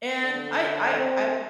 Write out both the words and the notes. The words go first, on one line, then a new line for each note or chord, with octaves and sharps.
And I I I
D3
C4